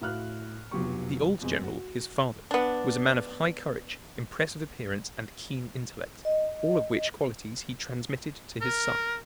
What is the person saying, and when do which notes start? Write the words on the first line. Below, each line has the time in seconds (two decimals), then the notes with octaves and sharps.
The old general, his father, was a man of high courage, impressive appearance, and keen intellect, all of which qualities he transmitted to his son.
0.01 A2 F#4 F5 F6 F#6
0.71 F1 B2 F#3 F4 G4 C#6
1.42 F2 B2 G#3
1.64 F#4
2.51 B3 D4
6.25 D#5
8.61 A#4